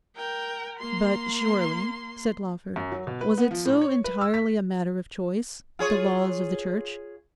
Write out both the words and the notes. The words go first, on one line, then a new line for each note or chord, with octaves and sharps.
'But, surely,' said Lawford, 'was it so entirely a matter of choice--the laws of the Church?
A#4 G5
A#3 C6
F#2
F#3
B2
B4
B3
F3
A2
C#5
B4
E6
B6
F4 G#4 C#5